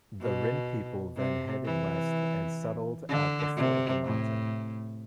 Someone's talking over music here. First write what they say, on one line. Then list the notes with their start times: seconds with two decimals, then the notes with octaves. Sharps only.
The Rin people then headed west and settled at the foot of the Mountain.
0.21 B2
1.17 C3
1.65 E3
3.09 D3
3.56 C3
4.05 A2